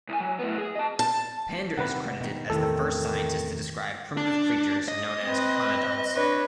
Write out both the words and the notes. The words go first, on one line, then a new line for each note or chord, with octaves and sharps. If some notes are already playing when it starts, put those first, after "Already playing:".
Pander is credited as the first scientist to describe primitive creatures known as conodonts.
C2 G#5
F#3
A2 B3
G#4
D#5 A5
A5
C3 D#3 B4 F#5
B2 D#3
E2 A2 C3 D#3 A4
D4
D#5
C4 B4
D4 B4 C#5